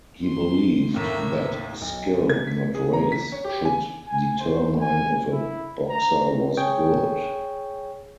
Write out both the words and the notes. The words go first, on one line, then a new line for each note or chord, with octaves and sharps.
He believed that skill, not race, should determine if a boxer was good.
C6
D#2 A2 D#3 A#3 E5
B1
C#3
G#6
B6
G#4
A#5
B6
C#5
G4
G#5
G#5
C5
G#5
E4
A#5
G#4 C#5 G5